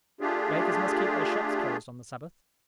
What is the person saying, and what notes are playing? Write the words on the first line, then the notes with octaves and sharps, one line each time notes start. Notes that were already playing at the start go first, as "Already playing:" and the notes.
Bakers must keep their shops closed on the Sabbath.
A3 D4 F4 G4 G#4